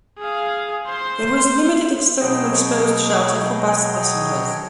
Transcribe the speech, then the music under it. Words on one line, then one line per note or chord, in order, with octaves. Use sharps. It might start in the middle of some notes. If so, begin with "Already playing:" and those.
There is limited external exposed shelter for bus passengers.
G#4 F5
C5 C6
B2 F#3 G#4 C#5 D#5 G5